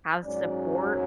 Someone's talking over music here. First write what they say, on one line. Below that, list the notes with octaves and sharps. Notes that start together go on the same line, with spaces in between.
have support,
G#2 F#3 C#4 D5